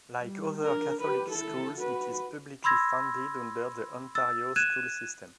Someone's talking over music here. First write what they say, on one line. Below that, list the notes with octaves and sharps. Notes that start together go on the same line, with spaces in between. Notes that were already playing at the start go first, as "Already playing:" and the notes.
Like other Catholic schools, it is publicly funded under the Ontario school system.
G3
D4 A#4
G4 B4
E4 A4
F#4 B4
B5 C6 E6 G#6 A#6
E6 A6
F#6 G#6 D#7 E7